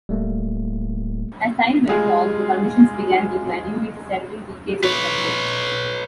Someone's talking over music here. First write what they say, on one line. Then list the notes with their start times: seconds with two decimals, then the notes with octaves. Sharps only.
As time went on, the conditions began declining due to several decades of neglect.
0.09 D1 G3 A3 A#3
1.89 G3 G#3 F4 G#4
4.84 B4 C#5